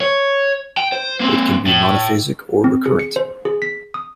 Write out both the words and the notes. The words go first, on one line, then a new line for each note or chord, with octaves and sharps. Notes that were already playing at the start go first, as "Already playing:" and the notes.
It can be monophasic or recurrent.
C#5
G5
C5
A#3 C4
A2
C4
G#4
C#7
C5
G#4
B6
D#6